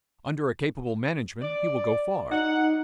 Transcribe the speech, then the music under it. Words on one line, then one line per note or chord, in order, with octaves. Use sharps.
Under a capable management he will go far.
D5
D#4 F#5